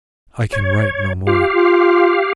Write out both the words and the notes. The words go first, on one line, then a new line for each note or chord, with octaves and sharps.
I can write no more.
C#5
F4 G4 F5
F4